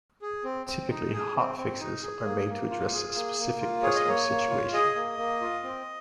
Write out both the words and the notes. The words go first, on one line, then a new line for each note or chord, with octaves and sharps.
Typically, hotfixes are made to address a specific customer situation.
G#4
C4
C4
D#4
G#4
C4
C4
D#4
G#4
A#3
A#3
F4
G#4
A#3
A#3
F4
G#4 C#5
D#5
A#3 C#5
A#3
F4
G#4 D#5
A#3
A#3
F4
C4